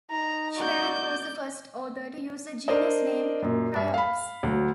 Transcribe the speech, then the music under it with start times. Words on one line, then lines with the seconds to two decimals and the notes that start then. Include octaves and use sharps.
Shrank was the first author to use the genus name "Triops".
0.10 D#4 A#5
0.58 F#4 D5 G6
2.68 D4 A#4 C5 D5 D#5
3.42 F#2 A#2
3.75 G2 E5
3.94 F5 B5
4.43 D2 F#3